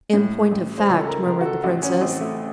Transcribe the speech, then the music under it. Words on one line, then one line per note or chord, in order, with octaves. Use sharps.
"In point of fact," murmured the princess...
A2
A1
C5
C#2 C#5
A4
A#4
C#2 A#4
F#4
A4
A1 F#4
C#4
A1 C4
A3